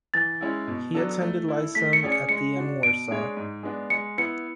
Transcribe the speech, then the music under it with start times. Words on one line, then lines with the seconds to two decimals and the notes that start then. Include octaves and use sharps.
He attended lyceum at the in Warsaw.
0.14 E3 A6
0.41 G#3 C#4 E4
0.67 B2
0.94 F#3 B3 D4 A4
1.21 A3
1.48 E4 A4
1.75 A3 B6
1.93 C#7
2.03 C#4 G#4 D5
2.12 C#7
2.29 G#3 C#7
2.56 D4 F#4
2.83 B2 D7
3.11 G#3 D4 G#4 C#5
3.37 G#2
3.63 G#3 B3 D4
3.90 G#3 C#7
4.18 B3 E4 B4 C#7